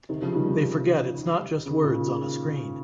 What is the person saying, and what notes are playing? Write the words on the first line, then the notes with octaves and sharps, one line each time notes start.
They forget it's not just words on a screen.
C3 D#3
C#3 F3
D#3 G3
C3
C#3
D#3
A#2 C#3